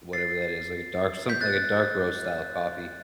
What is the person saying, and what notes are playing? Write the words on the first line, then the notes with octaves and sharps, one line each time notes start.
whatever that is, like, a dark something like a dark roast style coffee.
A6 C7
G6 B6
F#6 A6